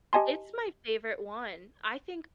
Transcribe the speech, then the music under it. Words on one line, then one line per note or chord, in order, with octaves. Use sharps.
It's my favorite one, I think
G4 D#5 G#5 A5 C6